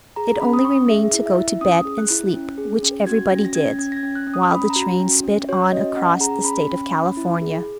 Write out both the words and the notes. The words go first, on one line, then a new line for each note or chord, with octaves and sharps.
It only remained to go to bed and sleep which everybody did--while the train sped on across the State of California.
G#4 A#5
C#4 B5
D#6
C#4 C#6
G#4 E5
E4
E5
E4
C#4 D#6
G#4
F#6
E4
C#4
G#4
C#4
F#4 G#6
C#4 A#6
A#6
C#4 G#6
C#4 G#6
A#6
G#6
C#4
F#6
C#4
D#6
C#4 B5
A#5
F#4
C#4
C#4
F#4 C#5
C#4 D#5
C#4 F#5
G#4 A#5
C#4 B5
C#4
C#4
E4
G#4